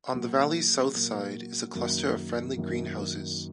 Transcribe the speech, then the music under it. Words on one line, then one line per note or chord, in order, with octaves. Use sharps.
On the valley's south side is a cluster of friendly greenhouses.
A#2 F#3 A#3 F#4
A#2 F#3 A#3
F#2 D#3 A#3
F#2 D#3 A#3